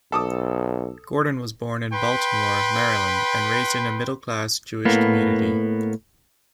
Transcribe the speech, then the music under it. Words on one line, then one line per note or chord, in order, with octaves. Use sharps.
Gordon was born in Baltimore, Maryland, and raised in a middle class Jewish community.
B1 A4 D6 D#6
B4 G5 B5 C6
A2 A#3 B3